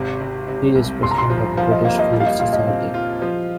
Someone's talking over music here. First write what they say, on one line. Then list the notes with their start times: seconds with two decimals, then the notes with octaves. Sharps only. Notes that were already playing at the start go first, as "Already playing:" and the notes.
He is President of the British Flute Society.
Already playing: G#1 C3
0.21 C3
0.48 C3
0.75 C2
1.03 G1 C6
1.11 A#5
1.18 C6
1.30 F3
1.57 F3 F5
1.71 D#5
1.84 A#3 F5
1.99 D#5
2.13 G3
2.20 F5
2.26 D#5
2.39 A#2 F5
2.53 D#5
2.67 C4 F5
2.94 F4
3.22 F3